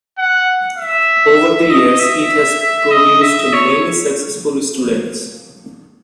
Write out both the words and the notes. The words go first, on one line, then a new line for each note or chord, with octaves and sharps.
Over the years, it has produced many successful students.
F#5
E5
D#5
E5
D#5
E5
C#5